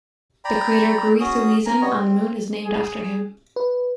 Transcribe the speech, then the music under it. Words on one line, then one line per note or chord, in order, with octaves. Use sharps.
The crater Gruithuisen on the Moon is named after him.
D5 G5 A#5 B5
C#4 F#4 G#4 D#6
A#4 G#5 A#5
G3 B3 C#5 D#5
C4
G#4
B4